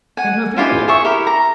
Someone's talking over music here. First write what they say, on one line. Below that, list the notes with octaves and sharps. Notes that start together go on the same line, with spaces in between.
"And who threw it?"
F#5 G#5
E4 F4 G4 G#5
G#4 E5 C#6
E4 G4 A#4
A#5